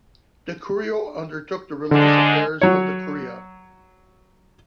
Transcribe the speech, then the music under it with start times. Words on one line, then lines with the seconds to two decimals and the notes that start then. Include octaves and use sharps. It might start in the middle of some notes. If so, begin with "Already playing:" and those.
The curio undertook the religious affairs of the curia.
1.91 G#2 D3 G#3 D4
2.61 F#3 C#5